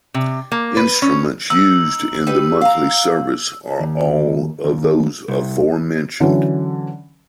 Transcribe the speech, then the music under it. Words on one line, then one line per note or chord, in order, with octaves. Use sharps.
Instruments used in the monthly service are all of those aforementioned.
C3
A#3
B4
C#4
D#4 E6
G3 D#4 B4
F5 A#5
D#2
D#2
C2
D3 E3 F#3 C#4